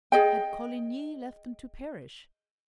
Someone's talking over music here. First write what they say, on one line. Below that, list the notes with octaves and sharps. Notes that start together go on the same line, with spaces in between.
Had Coligny left them to perish?
G#4 D#5 G5